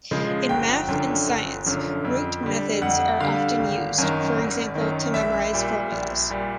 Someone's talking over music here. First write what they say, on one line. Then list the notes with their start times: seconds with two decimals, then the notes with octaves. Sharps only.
In math and science, rote methods are often used, for example to memorize formulas.
0.11 C#3 F3 G#3
0.49 G1 G5
0.88 F#2 D3 F3
1.27 G1
1.66 F#2 D3 F3
2.04 F2
2.43 D3 G3
2.82 F2 F#5
3.20 D3 G3 F5
3.59 G#1
3.98 F#2 D#3
4.37 G#1
4.75 D#3
4.80 F#2
5.13 A#1 E5
5.53 A#2 G3
5.92 A#1
6.30 A#2 G3